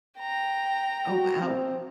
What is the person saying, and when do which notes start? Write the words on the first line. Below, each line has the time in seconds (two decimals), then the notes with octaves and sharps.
Oh, wow.
0.19 G5 A#5
1.09 F#4
1.43 C4